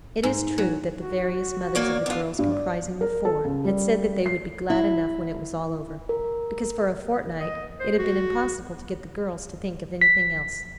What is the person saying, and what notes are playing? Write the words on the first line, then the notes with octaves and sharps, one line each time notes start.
It is true that the various mothers of the girls comprising "The Four" had said that they would be glad enough when it was all over, because for a fortnight it had been impossible to get the girls to think of anything else.
G#2
F#3
F#4
A#3 C#5 D5
B3 D4 F4
G2
D5
A#4
A4
C#2
G3
C7
E4
A#4
D#5
C5
F#4
B6